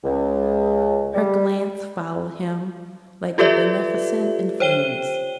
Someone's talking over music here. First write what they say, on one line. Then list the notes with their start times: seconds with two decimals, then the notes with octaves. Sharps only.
Her glance followed him like a beneficent influence.
0.04 C#2
1.14 G3
3.38 F4 G4 A4 B4 D5 E5
4.60 C5 C#5 G5 D#7 G7